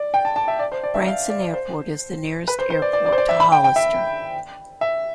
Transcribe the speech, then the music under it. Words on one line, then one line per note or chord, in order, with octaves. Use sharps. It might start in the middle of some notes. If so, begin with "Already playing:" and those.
Branson Airport is the nearest airport to Hollister.
Already playing: D5
G5
A5
A5
E5
D5
C5
D5
E5
F5
D5
C5
B4
C5
C5
D5
D5
D5
C5
D5
E5
B5
G5
G5
E5
E5